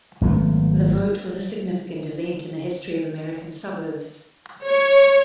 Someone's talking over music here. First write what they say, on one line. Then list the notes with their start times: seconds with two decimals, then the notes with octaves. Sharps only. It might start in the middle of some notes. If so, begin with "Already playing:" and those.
The vote was a significant event in the history of American suburbs.
0.21 G#1 F#3 A3 B3
4.67 C#5